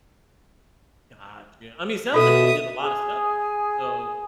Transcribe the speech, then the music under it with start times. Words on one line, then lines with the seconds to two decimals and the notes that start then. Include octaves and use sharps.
Gotcha. I mean, it sounds like you did a lotta stuff today. So,
2.14 B2 F4 A4 E5 D#6
2.81 G#4 G#5